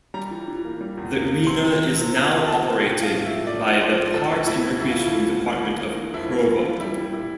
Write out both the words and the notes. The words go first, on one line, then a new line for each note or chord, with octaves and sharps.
The arena is now operated by the Parks and Recreation Department of Provo.
G3 A#5
E3
E3
A#3
G3
E2
A#3
A#3
C3 C6
F3
F3
C3
F3 A#5
C3
C3 A5
C4
A2 G5
F3
F5
A2
E5
F3
A3 D5
A2
D5
F3 C5
F3
D2 A4
D2
D2 E4
A3
D2 E4
F4
F3 E4
A3
D2
E3
A#3
A#3
E3
F2 E4
A#3
A#3 F4
E3
G3 E4
G3
A#2 E4